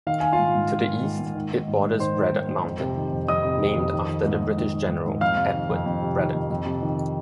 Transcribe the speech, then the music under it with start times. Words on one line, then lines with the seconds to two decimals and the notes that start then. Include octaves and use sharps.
To the east, it borders Braddock Mountain, named after the British general Edward Braddock.
0.07 D#3 F5
0.20 D#3 G#5
0.33 F4 F5
0.39 G#2
0.55 G#2
0.71 D#3
0.87 D#3
1.03 G#2
1.19 G#2
1.35 D#3
1.51 D#3
1.68 G#2
1.83 G#2
1.99 D#3 C5 C6
2.16 D#3
2.32 G#2
2.48 G#2
2.64 F2
2.80 C3
2.96 D#3
3.13 F2
3.28 F2 D#5 D#6
3.45 C3
3.60 D#3
3.77 F2
3.93 D#3
4.09 D#3
4.26 G#2
4.42 G#2
4.58 D#3
4.74 D#3
4.89 G#2
5.06 G#2
5.21 F2 F5 F6
5.37 C3
5.54 D#3
5.69 F2
5.86 F2
6.02 C3
6.18 D#3
6.35 F2
6.50 F2
6.66 C3
6.82 D#3